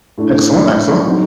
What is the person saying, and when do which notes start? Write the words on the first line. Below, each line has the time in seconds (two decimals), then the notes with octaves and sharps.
Excellent, excellent.
0.18 A2 A3 D4
1.05 F#3 C4 D#4